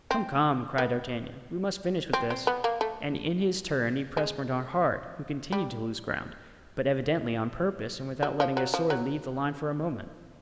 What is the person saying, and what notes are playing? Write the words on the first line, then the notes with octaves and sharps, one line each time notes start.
"Come, come," cried D'Artagnan, "we must finish with this," and in his turn he pressed Mordaunt hard, who continued to lose ground, but evidently on purpose and without letting his sword leave the line for a moment.
C4
B3
C4
C4
B3
A#3
A3
G#3
G3
F#3
F3
F#3
F3
F#3